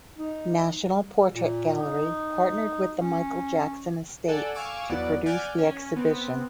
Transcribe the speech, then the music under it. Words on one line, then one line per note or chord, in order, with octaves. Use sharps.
National Portrait Gallery partnered with the Michael Jackson Estate to produce the exhibition.
D#4
A#2
D#4
C#4
A4 D5 F#5 G#5
F5 G#5 C#6 D6 E6
E2 F#3 B3 D5 F#5
D5 F#5 G#5 D6 F6 G6
C#4
B3 C4